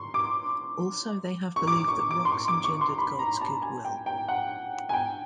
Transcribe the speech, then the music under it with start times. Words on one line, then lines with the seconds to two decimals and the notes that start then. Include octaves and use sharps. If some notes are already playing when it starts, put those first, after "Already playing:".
Also, they have believed that rocks engendered God's good-will.
Already playing: C6 C#6
0.14 D6
1.56 C#6
1.67 D6
1.88 C#6
2.11 D6
2.25 C6
2.32 C#6
2.48 D6
2.64 C#6
2.81 C6
2.98 B5
3.19 A#5
3.41 A5
3.62 G#5
3.85 G5
4.06 G5
4.28 F#5
4.89 G#5
4.93 G5